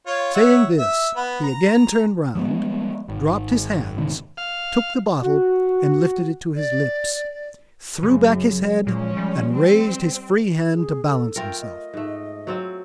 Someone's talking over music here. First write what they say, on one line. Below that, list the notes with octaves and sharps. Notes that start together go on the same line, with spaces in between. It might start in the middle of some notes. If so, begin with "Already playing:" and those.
Saying this he again turned round, dropped his hands, took the bottle and lifted it to his lips, threw back his head, and raised his free hand to balance himself.
F4 C#5
C#5 E5 F#5
E5
B3 B4
A#5
F3 G3 G#3 B3
G#1
F1 G#2 C3 D#3
F5
F#4
D5
F#2 C#3
A#2 F3 G#3 C#4
G3
C4
G#4
A4
A3 F4 A#4 G5
D#5
G#2 A3
F#3 C4 F4